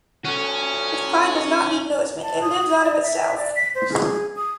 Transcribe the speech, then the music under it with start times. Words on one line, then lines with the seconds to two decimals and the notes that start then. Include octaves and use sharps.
His pride does not need nourishment; it lives out of itself.
0.25 C#4 F#4 A4
2.23 A5
2.42 D#6
2.84 D5
3.03 E5
3.37 D5
3.56 B6
3.75 C5
3.92 G#4
4.36 D#6